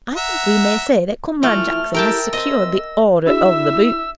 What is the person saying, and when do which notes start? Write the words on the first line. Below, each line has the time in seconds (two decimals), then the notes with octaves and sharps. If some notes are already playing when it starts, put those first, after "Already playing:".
I think we may say that Comrade Jackson has secured the Order of the Boot.'
0.17 E5 F#5 A#5
1.43 E3 F3 A3 E4 F6
1.94 E4 G4 A4 A#4 G5 A5 E6
2.33 C4 D#5 E5 E6
3.27 D4 E4 F#4 G#4 E5 E6